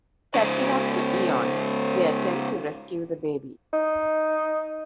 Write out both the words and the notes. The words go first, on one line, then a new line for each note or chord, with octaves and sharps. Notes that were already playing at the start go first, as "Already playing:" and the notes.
Catching up to Eon, they attempt to rescue the baby.
G#2 C#3
D#4